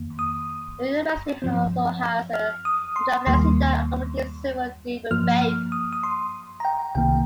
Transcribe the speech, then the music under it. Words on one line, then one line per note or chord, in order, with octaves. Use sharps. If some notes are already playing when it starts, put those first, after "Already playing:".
The university also has a Chaplaincy that accommodates several different faiths.
Already playing: F2 D#3 A#3
D#6
G2 F3 C4
F6
D#6
C6
D#2 D#3 G3 A#3 C6
G2 F3 A#3 F6
F6
D#6
D#6
C6
A#5
G5
C2 C3 D#3 A#3 G5